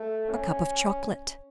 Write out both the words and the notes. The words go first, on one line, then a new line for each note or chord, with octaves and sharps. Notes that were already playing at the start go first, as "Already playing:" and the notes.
"A cup of chocolate."
Already playing: A3
C#4